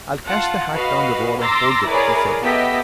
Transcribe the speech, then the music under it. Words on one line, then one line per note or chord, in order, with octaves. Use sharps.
"I'll catch the hack down the road and hold it," he said.
F4 F#5 A5
F#4 B4 D#5 F5
A#5 C6 D6 E6 A6 A#6
E4 G#4 A#4 B4 C#5 D5
A3 B3 G4 D#5 E5 B6